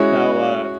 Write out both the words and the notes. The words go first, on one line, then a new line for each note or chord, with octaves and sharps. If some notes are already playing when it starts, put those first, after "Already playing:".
No, uh,
Already playing: G#3 C#4 E4 F#4 G#4